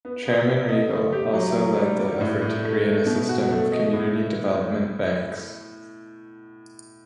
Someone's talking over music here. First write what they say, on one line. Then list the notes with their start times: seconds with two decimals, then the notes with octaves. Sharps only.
Chairman Riegle also led the effort to create a system of community development banks.
0.05 B3
0.25 B3
0.48 B3
0.69 D#5
0.90 A3
1.12 G4
1.33 F#3
1.56 F#3
1.78 G3
1.99 G3
2.21 A2
2.41 A2
2.63 A3
2.86 A3
3.06 B2
3.29 F#4
3.51 A3
3.72 D#5
3.93 A2